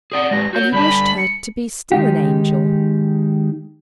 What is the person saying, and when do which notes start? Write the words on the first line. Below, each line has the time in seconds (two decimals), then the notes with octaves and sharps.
And he wished her to be still an angel.
0.12 G#4 D5 F#5 D#6
0.31 G#3 G4 B4 A#6
0.53 F#4 C#5 G6
0.72 D3 G3 A5 B5
1.18 C#7
1.92 D#3 G#3 D#4 G4